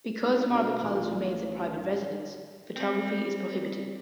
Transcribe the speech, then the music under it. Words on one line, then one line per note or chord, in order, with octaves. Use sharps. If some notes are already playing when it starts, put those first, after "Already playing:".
Because Marble Palace remains a private residence, photography is prohibited.
G#2
B2 D4
A1 A#2 F4
D3 C#5
F#2
G3 C4